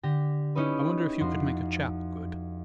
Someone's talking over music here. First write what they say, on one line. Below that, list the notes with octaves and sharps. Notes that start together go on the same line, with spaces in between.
"I wonder if you could make a chap good?"
D3 G4 A#6
C#4 D#4 E4 B4
F2 F#4 C6